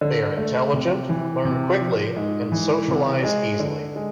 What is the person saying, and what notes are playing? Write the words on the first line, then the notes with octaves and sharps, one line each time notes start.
They are intelligent, learn quickly, and socialize easily.
D3
A3
C3
E3
C3
F3
G#2
E3
C3
G#3
D3
G#3